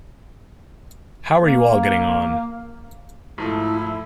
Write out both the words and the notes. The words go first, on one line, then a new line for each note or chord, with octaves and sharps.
How are you all getting on?
A#3
G#2 F3 A3 E4